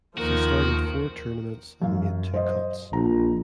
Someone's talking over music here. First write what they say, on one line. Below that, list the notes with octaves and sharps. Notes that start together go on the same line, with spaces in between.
She started four tournaments and made two cuts.
D#2 D#3 F3 F#4 A#4
F#2 F5
C5 D#5
A#1 A#5